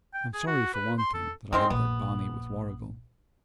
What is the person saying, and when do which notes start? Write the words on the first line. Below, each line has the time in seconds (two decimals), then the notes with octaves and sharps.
I'm sorry, for one thing, that I had that barney with Warrigal.
0.14 G5
0.34 G#4
0.47 F#4
0.74 B4
0.98 C6
1.14 A4
1.53 D#3 G#3 C4 D4
1.70 A#1 B3